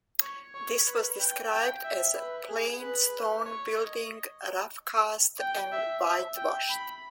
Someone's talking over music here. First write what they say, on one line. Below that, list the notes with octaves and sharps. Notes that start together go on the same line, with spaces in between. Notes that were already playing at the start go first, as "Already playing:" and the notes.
This was described as "a plain stone building rough cast and whitewashed".
C#5
C#5
B4
G5
G5
E5
B4
G#4
B4
C#5
D#5
G5
E5
E5
G5
B5